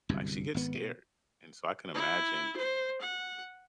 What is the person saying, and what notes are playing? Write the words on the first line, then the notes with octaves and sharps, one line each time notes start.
like, she gets scared, and so I can imagine
G1 C2 F#2
G#1 B3
B2
E4
C5
F#5